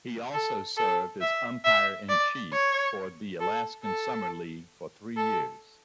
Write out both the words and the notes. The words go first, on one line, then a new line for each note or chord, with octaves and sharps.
He also served as umpire-in-chief for the Alaskan summer league for three years.
A4
A4
E5
E5
D5
C#5
A4
A4
A4